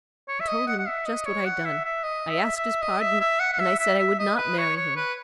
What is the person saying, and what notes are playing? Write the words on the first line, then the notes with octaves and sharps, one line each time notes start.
I told him just what I'd done; I asked his pardon, and I said I would not marry him.
C#5
E5
D#5
F#5
F#5
E5
D#5
C#5
F#5
E5
E5
D#5
E5
E5
D#5
E5
E5
F#5
F#5
E5
E5
E5
D#5
B4
C#5
C#5
B4